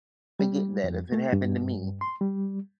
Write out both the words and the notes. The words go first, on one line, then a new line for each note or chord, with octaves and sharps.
forget that if it happened to me.
G3
F2
A3
G2
C6
G3